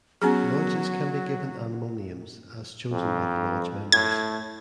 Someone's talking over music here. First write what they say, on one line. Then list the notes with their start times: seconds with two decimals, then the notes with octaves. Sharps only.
Lodges can be given animal names as chosen by the Lodge members.
0.22 F#3 B3 C#4 G#4
2.92 F2
3.92 A2 G#6